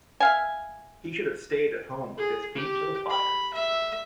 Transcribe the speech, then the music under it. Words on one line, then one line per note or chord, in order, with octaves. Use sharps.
He should have stayed at home with his feet to the fire.
E5 F5 G#5
G#4
G4
B5
E5